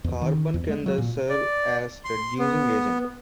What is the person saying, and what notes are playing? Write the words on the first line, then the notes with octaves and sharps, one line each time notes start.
Carbon can thus serve as reducing agent.
E2
D#3
E2
G#3
F#3
A#2
D5
C6
B3